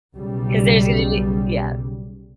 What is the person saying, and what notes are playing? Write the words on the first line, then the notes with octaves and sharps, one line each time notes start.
'Cause there's gonna be Yeah.
B1 C#3 G3